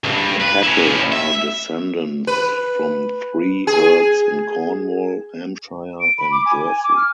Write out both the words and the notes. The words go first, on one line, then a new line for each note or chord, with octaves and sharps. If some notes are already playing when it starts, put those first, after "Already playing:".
The cattle are descendants from three herds in Cornwall, Hampshire and Jersey.
C#2 G2
B4
C#4 E4
E5
B4
G#4
D7
B5
D6
G#5
G#5
D6
F6